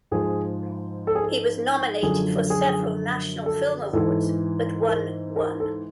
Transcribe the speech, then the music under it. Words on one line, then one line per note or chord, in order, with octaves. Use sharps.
He was nominated for several National Film Awards but won one.
G#2 F3 G#4
A4
G#4
A4
F#2 D3 F3 G#4
G#4
A4
G#2 E3 A4
A#4
A#4
A4